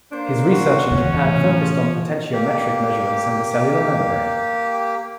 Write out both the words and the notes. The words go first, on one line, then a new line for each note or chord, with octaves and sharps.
His research in Japan focused on potentiometric measurements and the cellular membrane.
A#3 D4 C5
F#4
F1 D2 C#3 E3 C#4
A2 F3
A#3 G4